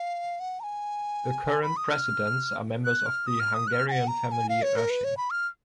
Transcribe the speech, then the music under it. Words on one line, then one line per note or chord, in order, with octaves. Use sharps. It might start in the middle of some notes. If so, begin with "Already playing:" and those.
The current presidents are members of the Hungarian family, Ersching.
Already playing: F5
F#5
A#5
G#5
B5
D#6
F6
F#6
F6
D#6
F6
D#6
F#6
F6
G#5
F#5
A#5
A#5
G#5
F5
C#5
A#4
B4
C#5
B5
F6